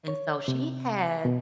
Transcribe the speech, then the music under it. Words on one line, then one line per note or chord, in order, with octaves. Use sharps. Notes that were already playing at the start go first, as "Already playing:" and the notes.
and so she had
C#5
C3
B2